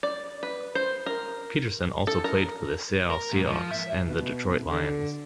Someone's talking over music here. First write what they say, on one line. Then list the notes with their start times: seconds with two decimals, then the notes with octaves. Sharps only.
Peterson also played for the Seattle Seahawks and the Detroit Lions.
0.03 D5
0.43 B4
0.75 C5
1.06 A#4
2.07 A4
2.24 A#4
3.10 A#4
3.32 G#2
3.46 F3
3.71 E5
4.07 B2
4.71 D3